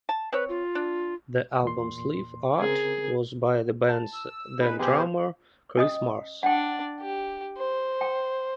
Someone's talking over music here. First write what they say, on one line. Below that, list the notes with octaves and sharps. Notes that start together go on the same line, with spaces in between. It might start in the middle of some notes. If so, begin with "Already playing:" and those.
The album sleeve art was by the band's then-drummer, Chris Mars.
A5
C4 B4 C#5
F4
D4
E2 A#2 C6
C#3 C4 G#4 A#4
A5
E6
B3 D#4 G#4 B4
B1 E2 G4 G#4 B4 C5
C#4 D#5 D#6
D4 D5 F#5 G5
G4
C5
G5